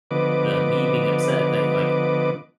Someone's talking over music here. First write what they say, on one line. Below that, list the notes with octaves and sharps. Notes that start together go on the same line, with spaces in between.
the me-being-upset thing, like,
D3 F3 B3 B4 D#5 D6